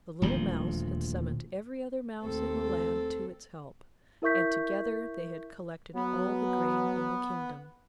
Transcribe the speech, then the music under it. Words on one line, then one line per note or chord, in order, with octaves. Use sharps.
The little mouse had summoned every other mouse in the land to its help, and together they had collected all the grain in the kingdom.
D#1 D2 F3
D#2 A3 C4 A4
E4 A#4 E5 C#6 G6 B6
F#3 B3